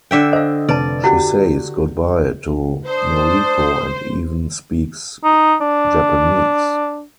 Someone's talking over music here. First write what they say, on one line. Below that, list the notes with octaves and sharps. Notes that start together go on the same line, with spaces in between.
She says goodbye to Noriko and even speaks Japanese.
D3 E5 G5
C5 D#5 F5
F1 B4 D5 A5
E4 F#4 G4 F#5
D4 C5 A5 D#6
D#4
D4